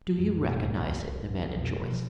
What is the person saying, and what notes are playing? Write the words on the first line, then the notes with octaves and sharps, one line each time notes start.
"Do you recognize it?" demanded Joyce.
C2 F#2 F#3
B2
C2
C2
C2
C2
F2 B2 F3
B2
F3